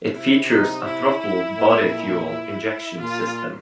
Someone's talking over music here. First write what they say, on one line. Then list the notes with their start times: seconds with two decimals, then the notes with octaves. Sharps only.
It features a throttle body fuel injection system.
0.13 C3 E4
0.49 D#4
0.84 E4
1.57 A#2
2.28 E4
3.00 A#2 F4